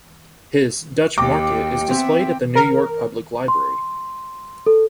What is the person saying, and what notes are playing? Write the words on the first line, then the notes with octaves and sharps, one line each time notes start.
His "Dutch Market" is displayed at the New York Public Library.
D#2 G5 D6
B3 C4 E5
A#4
C6
A4